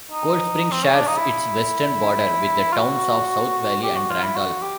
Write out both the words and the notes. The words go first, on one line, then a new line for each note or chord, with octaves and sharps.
Coldspring shares its western border with the towns of South Valley and Randolph.
D#4
C4
C#4
D4
D#4
E4
F4
F#4
G4
F#4
F4
E4
F#4
G4